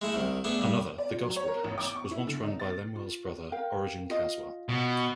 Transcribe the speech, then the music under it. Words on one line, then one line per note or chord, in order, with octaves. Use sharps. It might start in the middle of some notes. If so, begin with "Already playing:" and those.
Another, the Gosport House, was once run by Lemuel's brother Origen Caswell.
G#3 A3 E4
C2 D#3
A3 B3 D4 G#4
G2 G3
D5
F4
F#3
C#5
A#4
A1
D6
C#6
E4
D3
D#4
A6
F4
A#4 F5 G5
F4 D#5 F5
B2